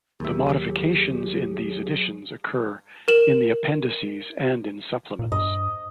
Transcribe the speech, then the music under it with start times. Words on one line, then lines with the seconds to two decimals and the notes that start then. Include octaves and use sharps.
The modifications in these editions occur in the appendices and in supplements.
0.20 D#2 F#3 G4 G#4 E5
3.08 A#4 E7 F#7
5.19 A#2
5.32 G2 D#5